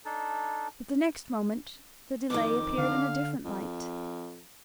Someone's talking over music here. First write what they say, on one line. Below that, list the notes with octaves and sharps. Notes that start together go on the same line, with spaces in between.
But the next moment, the delay appeared in a different light.
D4 D#4 A4
F2 D#3 D6
D3 F5
F2